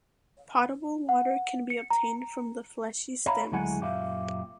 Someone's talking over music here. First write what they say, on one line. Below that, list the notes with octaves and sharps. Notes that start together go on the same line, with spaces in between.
Potable water can be obtained from the fleshy stems.
F#5
C#7
A#5
C#5 E5 F5 A#5 B5
D2 F#3 G#3 E4 F#5 G#5
F#2 A#2 G4 E5 F5